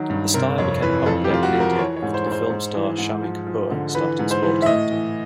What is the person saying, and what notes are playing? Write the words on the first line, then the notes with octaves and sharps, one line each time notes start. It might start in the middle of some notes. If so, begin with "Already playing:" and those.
The style became popular in India after film star Shammi Kapoor started sporting it.
Already playing: D#3 F#3
G2
C3 A#4
F2 C#5
E3 B4
F2 A4
G4
F2 F4
F#4
F3
A#4
E3 C#5
C#5
G#2
C5
G#2
C5
G#2
E3
G#2
F3
F3
D3
E3 B4
G#2
C5
E3
E5
A2 D#5
E3